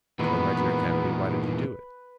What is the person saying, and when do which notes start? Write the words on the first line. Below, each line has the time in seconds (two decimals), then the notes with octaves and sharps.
"Then, my dear Kennedy, why did you do it?"
0.19 E2 A#2 D#3 E3 G#3 B3 B4 B5